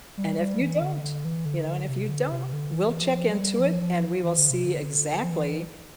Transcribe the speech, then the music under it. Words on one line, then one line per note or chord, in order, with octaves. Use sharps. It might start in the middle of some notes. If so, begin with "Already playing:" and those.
And if you don't you know, and if you don't, we'll check into it, and we will see exactly,
G3
G3
E3
D3
D3
E3
D3
D3
C3
D3
C3
D3
E3
F3
G3
F3
F3
E3
D3
C3
D3
F3
E3